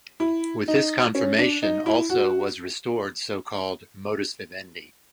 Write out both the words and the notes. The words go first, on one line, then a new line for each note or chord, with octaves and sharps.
With this confirmation also was restored so called "modus vivendi".
E4
D#4
C#4
D4
D#4
E4
F#4